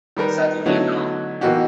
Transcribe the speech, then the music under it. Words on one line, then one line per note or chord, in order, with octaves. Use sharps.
Suddenly, a knock.
D#3 G3 A#4 B4
D3 F#3 A3 B3 D#4 E4
B2 E3 A#3 D#4 F#4 G4